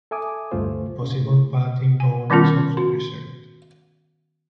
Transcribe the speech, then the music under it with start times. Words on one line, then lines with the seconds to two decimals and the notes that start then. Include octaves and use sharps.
A possible palatine bone is also preserved.
0.11 A4 E5 G#5 D6 D#6
0.51 D2 G2 A3 F4 C5
1.03 C#3
1.20 A2
2.00 G#5
2.30 D#3 G3 B3 C#4 F4 A#4
2.77 F#4